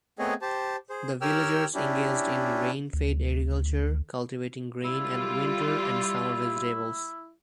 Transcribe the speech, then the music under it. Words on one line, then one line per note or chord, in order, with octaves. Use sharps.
The villagers engaged in rainfed agriculture, cultivating grain and winter and summer vegetables.
A3 B3 C4 G#4 C#5 D#5
G4 C5 A5
G#4 C5
G4 A#4 C#5 G5 E6 F6
C#4 D4 E4 G4
D2
G3 E4 F4